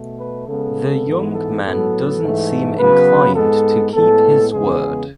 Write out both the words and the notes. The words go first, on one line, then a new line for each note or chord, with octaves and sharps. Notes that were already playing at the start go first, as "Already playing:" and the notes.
The young man doesn't seem inclined to keep his word.
Already playing: B2 A3
B4
C#3 G#3 B3 A4
G#2 E3 B3
A4
A2 F#3 B3 A4
G#2 E3 A3
C#3 F#3 B3 B4
G#2 G#3 B3 A4
A2 G#3 B3 A4
E2 C#3 G#3 B3 G#4